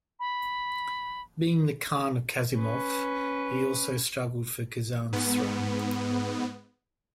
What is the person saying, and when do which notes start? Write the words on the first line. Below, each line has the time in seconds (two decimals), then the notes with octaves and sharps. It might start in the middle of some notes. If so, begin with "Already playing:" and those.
Being the khan of Kasimov, he also struggled for Kazan's throne.
0.19 B5
2.57 C#4 B4
5.13 G#2 B3